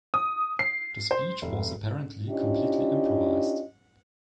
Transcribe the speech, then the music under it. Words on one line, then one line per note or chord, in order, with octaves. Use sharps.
The speech was apparently completely improvised.
D#6
C7
C5
F1
C#4 D4 E4 F4 G4 D#5